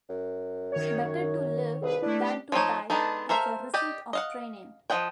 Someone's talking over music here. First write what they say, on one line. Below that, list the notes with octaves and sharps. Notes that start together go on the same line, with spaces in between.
Better to live than to die is the result of training.
F#2
D#3 C#5
C2 G#4 B4
A3 D4 E4
G4
F3 G#3 C4 D#4 C#5
G#3 B3 D4 D#4 A4
A4 A#4 C5 E5 F5
G4 D5 D#5 G5
D#5 F5 F#5
F3 D#5 F#5 G5